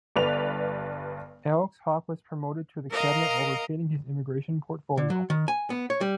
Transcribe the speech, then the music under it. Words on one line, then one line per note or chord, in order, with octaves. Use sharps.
Alex Hawke was promoted to the cabinet while retaining his immigration portfolio.
G1 G2 B4 D5 F7
A#4 D#5 F5 A#5
D3
F#3
D#3
G#5
B3
C#5
G3